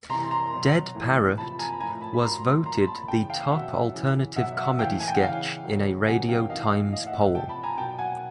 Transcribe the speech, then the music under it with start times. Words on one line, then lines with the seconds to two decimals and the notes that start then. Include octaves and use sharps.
"Dead Parrot" was voted the top alternative comedy sketch in a Radio Times poll.
0.09 C3 A#5 C6
0.13 E3
0.31 A#5 C6
0.52 B2 F#3
0.95 A2 E3
1.38 C3 F3 A5 B5
1.59 G#5 A#5
1.73 B5
1.80 A2 F3 G#5 A#5
2.01 A5 B5
2.14 B5
2.23 A2 F#3 A#5 C6
2.65 A#2 F3 A#5 C6
2.87 A5 B5
3.08 C#3 E3 G5 A5
3.30 F5 G5
3.51 B2 F#3 E5 F#5
3.93 C#3 E3
4.36 B2 F#3 E5 F#5
4.58 E5 F#5
4.79 A2 E3 F5 G5
5.00 G#5
5.08 G5
5.15 F#5
5.22 C#3 E3 F5 G5
5.64 C#3 F#3
6.07 C3 D#3 F#3 F#5 G#5
6.28 F5 G5
6.50 C3 E3 D#5 F5
6.71 D#5 F5
6.92 E3 D#5 F5
6.96 A2
7.06 E5 F#5
7.35 C3 F3 G5 A5
7.49 A5 B5
7.63 G#5 A#5
7.78 B2 F#3 G5 A5
7.99 F#5 G#5